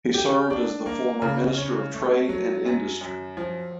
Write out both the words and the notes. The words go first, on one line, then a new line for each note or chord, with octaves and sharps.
He served as the former Minister of Trade and Industry.
G4
D4
A#3
C#3
C#4
A3
F#3
F#2
F#2
F3